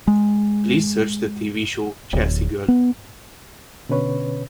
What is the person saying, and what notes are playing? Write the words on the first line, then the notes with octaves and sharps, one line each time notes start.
Please search the TV show Chelsea Girl.
G#3
D1
B3
B2 D3 C#4 B4 C#5